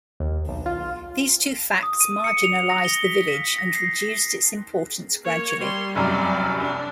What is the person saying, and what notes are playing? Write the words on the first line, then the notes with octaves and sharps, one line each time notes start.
These two facts marginalized the village and reduced its importance gradually.
D#2
B1
F4
D#6
D#7
C#7
F7
A#6
G7
B6
B6
A#6
C7
C7
A#3 C#5
G3 C6
F1 C2 F#2 D5
D4